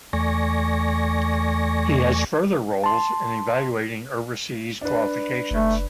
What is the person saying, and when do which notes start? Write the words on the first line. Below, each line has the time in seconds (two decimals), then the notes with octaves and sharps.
It has further roles in evaluating overseas qualifications.
0.13 E2 A3 D5 G#5 C#6 A#6
2.84 A5 C6
4.81 D4 B4
5.51 F#1 A3